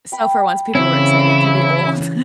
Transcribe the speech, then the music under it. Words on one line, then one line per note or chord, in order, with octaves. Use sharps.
So, for once, people were excited to be old?
G5 B5
C#3 E3 C4 C#4 E4